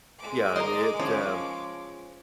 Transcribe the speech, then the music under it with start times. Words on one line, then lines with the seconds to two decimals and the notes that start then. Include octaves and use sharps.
Yeah, and it, um,
0.19 G#3 D6
0.56 A#4 D#5 C6
1.00 F3 C#4